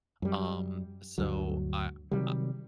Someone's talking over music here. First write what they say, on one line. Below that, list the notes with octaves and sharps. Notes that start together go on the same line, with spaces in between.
Um, so I I
F#2 G3
D2 G2 F#3
C3 D#3 F#3 G3